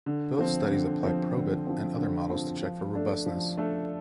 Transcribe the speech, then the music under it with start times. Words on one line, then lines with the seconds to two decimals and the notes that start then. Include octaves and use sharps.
Both studies apply Probit and other models to check for robustness.
0.06 D3
0.39 F3 C4
0.71 D3
1.03 F3 C4
1.35 D3
1.67 F3 C4
1.98 D3
2.30 F3 C4
2.63 F3
2.93 A3 D4 A4
3.26 F3
3.57 A3 D4 A4